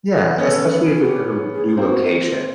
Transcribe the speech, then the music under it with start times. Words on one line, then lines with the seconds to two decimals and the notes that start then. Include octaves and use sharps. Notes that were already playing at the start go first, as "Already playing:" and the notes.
Yeah, especially if it's in a l new location,
0.15 A4
0.38 B3 C#4 A4
1.00 F#4
1.09 G4
1.31 G#4
1.54 G#4
1.77 A#3 C4 F#4